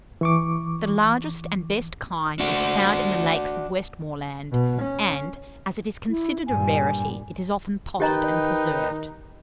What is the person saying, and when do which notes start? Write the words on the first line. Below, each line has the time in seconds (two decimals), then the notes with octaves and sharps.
The largest and best kind is found in the lakes of Westmoreland, and, as it is considered a rarity, it is often potted and preserved.
0.21 E3 C#6 D6
2.40 D4 F#4
4.51 B2
4.82 C#4
6.09 E4
6.47 G2 A#2 G3 G#5
8.00 D#3 D#4 G4 B4 D#5 G5 A#5